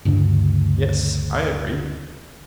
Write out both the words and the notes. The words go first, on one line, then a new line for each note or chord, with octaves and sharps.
Yes, I agree.
D2 G2 C#3 D4